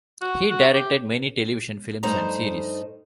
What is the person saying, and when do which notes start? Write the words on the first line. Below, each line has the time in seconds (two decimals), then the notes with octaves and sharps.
He directed many television films and series.
0.22 F#4
0.50 F#4
0.73 G4
2.03 G2 A3 D#4 C5 D#5 A#5